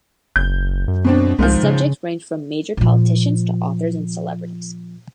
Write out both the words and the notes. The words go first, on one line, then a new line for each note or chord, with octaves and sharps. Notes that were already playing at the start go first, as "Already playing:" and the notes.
His subjects ranged from major politicians to authors and celebrities.
F#1 G6
F#2
B2 C4 D4
C2 G#2 D#3 F3
C#3
A#2 F3